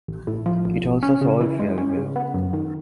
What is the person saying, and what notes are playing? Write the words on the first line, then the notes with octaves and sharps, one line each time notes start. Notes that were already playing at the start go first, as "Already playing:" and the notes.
It also sold fairly well.
A1
A2
F3
A1
A1
C#4
C#3
E3
G#3
C#4
C#3
B3
F#2
D#3